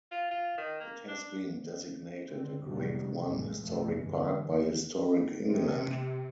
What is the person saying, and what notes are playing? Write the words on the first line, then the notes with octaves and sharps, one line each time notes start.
It has been designated a Grade One Historic Park by Historic England.
F4
F4
D#3
A#3
D4
D3 C4
F1 A2 C3 D#3 F#3 G3
A1 F2 C3 G3 G#3
F1 C2 G2 F3 F#3 A3
G2 D3 E3 G#3
C3